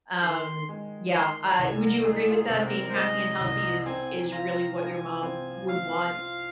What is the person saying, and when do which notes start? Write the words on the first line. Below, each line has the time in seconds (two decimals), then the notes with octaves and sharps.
Um, yeah, uh, would you agree with that, being happy and healthy is is really what your mom would want
0.22 D#3 C6
0.69 G#3
1.14 D#3 C6
1.37 C6
1.59 C2 G#5
1.83 A#4
2.04 G#3 G#4
2.29 F4
2.35 G#4
2.50 C3
2.65 A#4
2.89 C5
2.95 G#3 D#5
3.41 C2
3.86 C4 G#5
4.23 G#5
4.31 F4 A#5
4.77 F3 G#5
4.85 A#5
4.93 G#5
5.22 C4 G#5
5.68 C4 F5
6.14 F4